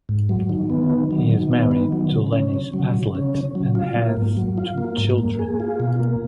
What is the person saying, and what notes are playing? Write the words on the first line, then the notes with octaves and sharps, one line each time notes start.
He is married to Lenis Hazlett and has two children.
G#2
F#3
D#3
B3
D#3
F#3
D#3
B3
D#3
F#3
C#3
C#4
C#3
F#3
C#3
C#4
C#3
F#3
F4
A#3
G#2
F#3
F4
A#3
G#2
A#3
G#4
F4
B2
A#3